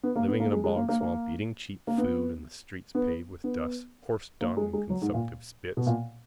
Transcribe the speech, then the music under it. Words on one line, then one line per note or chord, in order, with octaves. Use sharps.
Living in a bogswamp, eating cheap food and the streets paved with dust, horsedung and consumptives' spits.
B3
A#3
B3
A#3
G#3
G#3
A#3
A#3
A#3
A#3
B3
B3
B3
A#3
G#3
G#3
F#3
G#2
A#2
B2
A#2